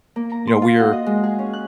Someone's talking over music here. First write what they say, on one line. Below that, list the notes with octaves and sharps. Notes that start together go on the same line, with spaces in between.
you know, we're
A#3
A#5
C6
F4
F#4
D#5
G#3
G#4
C#4
F#6